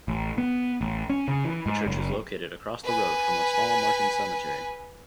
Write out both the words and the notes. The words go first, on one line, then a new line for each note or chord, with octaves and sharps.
The church is located across the road from the small Martin Cemetery.
A1
B3
A1
C#4
C#3
E3
G#2
F#1
B4 G#5